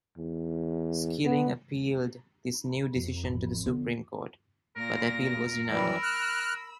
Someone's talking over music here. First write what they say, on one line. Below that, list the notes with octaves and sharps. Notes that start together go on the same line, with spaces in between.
Skilling appealed this new decision to the Supreme Court, but the appeal was denied.
E2
B3
F2
A1
D3 B3
A#2 A#4 A#6
F#2 E3 G3 B5 E6
F6 F#6